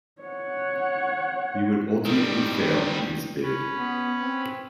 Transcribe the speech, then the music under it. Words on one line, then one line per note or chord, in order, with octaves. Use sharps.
He would ultimately fail in his bid.
C#5 F#5
D#3 G3
C#4 B4
B3
C4